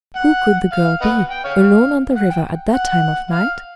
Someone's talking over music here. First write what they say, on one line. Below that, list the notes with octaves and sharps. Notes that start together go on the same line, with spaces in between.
Who could the girl be, alone on the river at that time of night?
F#5
F5
B4 D#5 F#5
G5
C#5 F5
F#5
G5
F#5
F#5
F5